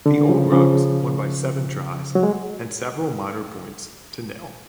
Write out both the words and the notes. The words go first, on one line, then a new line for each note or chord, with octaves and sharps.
The Old Rugs won by seven tries and several minor points to nil.
D3
C#3 F3
C#3 F3
F#3
G#3